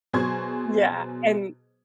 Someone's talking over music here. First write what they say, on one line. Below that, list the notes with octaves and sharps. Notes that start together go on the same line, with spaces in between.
Yeah, and
B2 F#3 G#4 C5 C#6 G#6